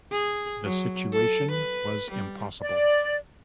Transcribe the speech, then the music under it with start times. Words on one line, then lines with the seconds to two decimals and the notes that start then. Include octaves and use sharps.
The situation was impossible.
0.12 G#4
0.64 F#3
1.13 A4
1.51 B4
2.11 G3
2.61 D5